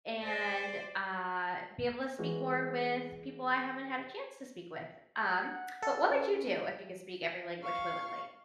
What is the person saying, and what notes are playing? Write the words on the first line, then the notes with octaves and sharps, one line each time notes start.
and, uh, be able to speak more with people I haven't had a chance to speak with, um, but what would you do if you could speak every language fluently?
C5 D5
E3 G#3 F#4
F#5
A4
C#4 A#4
F5 C#6